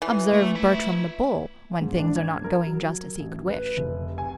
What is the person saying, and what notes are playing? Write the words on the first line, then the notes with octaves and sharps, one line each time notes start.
Observe Bertram the Bull when things are not going just as he could wish.
E3
A3
F4 E5
G#2
D4
G#6
A#4
F#3
A1
B4
F1
G#5